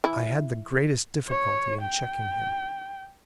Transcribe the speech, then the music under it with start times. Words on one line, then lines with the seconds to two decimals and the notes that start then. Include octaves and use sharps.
I had the greatest difficulty in checking him.
0.04 E3 E4
1.28 C#5
1.82 G5